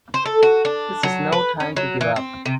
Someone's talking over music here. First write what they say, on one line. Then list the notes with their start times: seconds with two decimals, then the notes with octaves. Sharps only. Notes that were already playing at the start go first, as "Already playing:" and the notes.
This is no time to give up!
0.14 C5
0.26 A4
0.43 F#4
0.65 D4
1.03 F#3
1.32 B4
1.60 C#4
1.76 F#3
2.01 E3
2.16 C4
2.45 C3